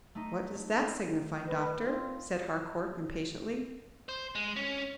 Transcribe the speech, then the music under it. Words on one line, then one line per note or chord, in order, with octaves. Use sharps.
"What does that signify, Doctor?" said Harcourt, impatiently.
A3 D#4
B4
C4 F4
C5
G#3
C#4